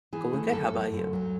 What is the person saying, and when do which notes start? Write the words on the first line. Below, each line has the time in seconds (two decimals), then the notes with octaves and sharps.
Going good, how 'bout you?
0.13 E3 G#4
0.33 A3
0.52 F#2 A4
0.74 F#2
0.93 F#2
1.13 F#3